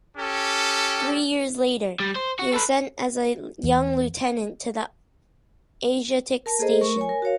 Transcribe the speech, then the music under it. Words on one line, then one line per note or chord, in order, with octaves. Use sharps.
Three years later, he was sent as a young lieutenant to the Asiatic Station.
C#4 G4 A4
G3
C5
F#4
A4 B4
E2
A#4 A5
A#3 G#4 A4 C5 D#5
A3 A#4 C#6
C#5 G#5
A#4
F#4 A#4 C#5 F5